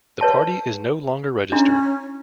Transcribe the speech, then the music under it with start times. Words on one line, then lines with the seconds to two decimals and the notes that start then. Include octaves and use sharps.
The party is no longer registered.
0.21 B4 C#5 A5
1.52 C#4 D4 E4 A#5